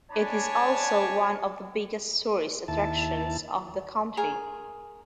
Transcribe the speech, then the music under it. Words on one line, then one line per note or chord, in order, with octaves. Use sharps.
It is also one of the biggest tourist attractions of the country.
D4 C#5 D5 G#5 A5 B5
D#2 E4 A5
G#4 A#4 G#5